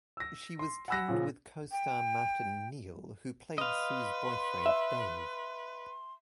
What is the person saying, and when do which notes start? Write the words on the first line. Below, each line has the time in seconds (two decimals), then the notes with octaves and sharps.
She was teamed with co-star Martin Neil, who played Sue's boyfriend Dave.
0.17 E6 A#6
0.59 C6
0.88 F#5 G#5 B5 E6 F#6 A#6
1.08 A#2 C#3 F3
1.72 G5
3.58 B4 D#5 F5 C6
4.66 E5